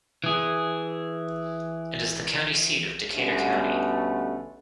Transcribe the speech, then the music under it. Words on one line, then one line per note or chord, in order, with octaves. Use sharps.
It is the county seat of Decatur County.
E3 G#4
B2 D3 G3 A3 B3 C#4